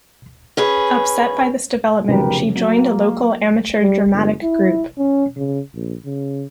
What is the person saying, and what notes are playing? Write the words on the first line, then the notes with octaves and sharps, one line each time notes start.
Upset by this development, she joined a local amateur dramatic group.
C#4 G#4 B4
F1 B1 C#3 G4 A#4 B4
F#3 A#3
G3
G1
E4
C#4
C#3
A#1
C#3